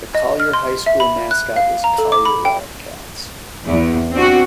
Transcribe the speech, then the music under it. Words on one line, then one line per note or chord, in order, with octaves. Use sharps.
The Collyer High School mascot was Collyer Wildcats.
D#5
F6
C6
E5
B5
F#6
F5
A#5
A4
D6
B5
G5
E2
C4 D4 F#4